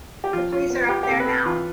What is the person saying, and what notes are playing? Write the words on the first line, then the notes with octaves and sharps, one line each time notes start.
The police are up there now.
G4
F3 F4
F4
B3
G4
G4
C3 A4
B4
A4
E3 F4